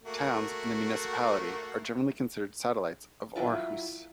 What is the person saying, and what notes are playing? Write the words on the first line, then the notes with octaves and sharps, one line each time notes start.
Towns in the municipality are generally considered satellites of Aarhus.
A3 A#3 F#4
E3 F#3 E4 F4